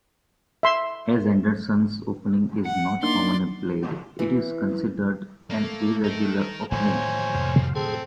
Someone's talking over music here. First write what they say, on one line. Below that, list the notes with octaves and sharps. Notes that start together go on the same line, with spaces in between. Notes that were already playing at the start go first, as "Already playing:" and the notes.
As Anderssen's Opening is not commonly played, it is considered an irregular opening.
E5 C6
F#5 C#7
A#3 D4 D#4 D5 C6
E3
A3 A#3
D#4 A#4
D#2 A2 D3 F3 F#3 C5 C#5 G#5
F2 C3
C4 G#4 A4